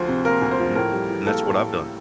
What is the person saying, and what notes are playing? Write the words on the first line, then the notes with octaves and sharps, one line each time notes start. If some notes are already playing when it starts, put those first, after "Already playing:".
Mhm. And that's what I've done.
Already playing: D2 F3 C5
C3
A#3 A#4
D2
C5
F3
A2 A#4
G3
E3
A#3 A4
A2
G3